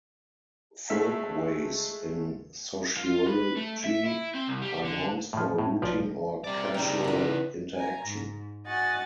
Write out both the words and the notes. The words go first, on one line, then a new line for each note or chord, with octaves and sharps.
Folkways, in sociology, are norms for routine or casual interaction.
G#3 A3 A4 E5
F4
B4
A3
E5
E4
C4
C2
G3
D3
A2 F3
A2
B1 F3 F4 D5 F5
C3 G3 A#3 D5
C#3 D#4 G4 G5
E2 B4
G#5 A#5
G#2
F#4 D#5 F#5 G#5 A6